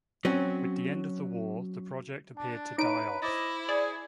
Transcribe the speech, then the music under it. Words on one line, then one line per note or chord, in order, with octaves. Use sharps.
With the end of the war, the Project appeared to die off.
F#3 C4 C#4
D4 A5
D#4 B4 C#5 A#5 D7 D#7
E4 C5 D#5 D6 A6
G#4 D5